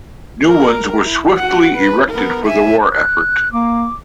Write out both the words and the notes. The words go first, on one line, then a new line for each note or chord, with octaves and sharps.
New ones were swiftly erected for the war effort.
A#4
E4
F#4 F#5
B4
B3 A#4
E5 G#5
F#6
A#3 D6